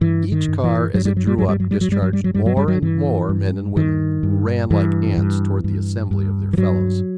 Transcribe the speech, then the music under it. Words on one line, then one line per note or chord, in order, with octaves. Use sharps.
Each car as it drew up discharged more and more men and women, who ran like ants towards the assembly of their fellows.
G2 E3
D#3
G2
E3
G2 F#3
G3
F#3
G3
G2 F#3
G3
F#3
G3
F#3
G2 G3
F#3
G3
F#3
G2 G3
F#3
G3
F#3
G2 E3
G2
G2 D#3
G2
G2 E3
G2
G2
G2
E3
G2 F#3